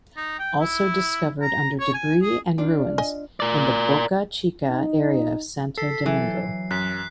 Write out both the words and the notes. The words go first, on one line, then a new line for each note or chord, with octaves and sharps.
Also discovered under debris and ruins in the Boca Chica area of Santo Domingo.
D#4
G5
E4
A#5
C#5
G#5
G#4
D4 F4
D#5 G#5
A#4 D5
D#4
A4 B6 C7
E3 F#3
F#2 F#6 B6